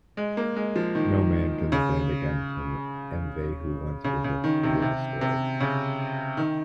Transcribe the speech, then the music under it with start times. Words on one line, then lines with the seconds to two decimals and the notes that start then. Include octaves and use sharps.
No man can stand against him and they who once resisted, were destroyed.
0.17 G#3
0.37 A#3
0.56 G#3
0.76 F3
0.95 D#3
1.72 C#3
4.04 C#3
4.24 C#3
4.44 D#3
4.63 C3
4.82 C3
5.21 C3
5.60 C#3
6.37 D#3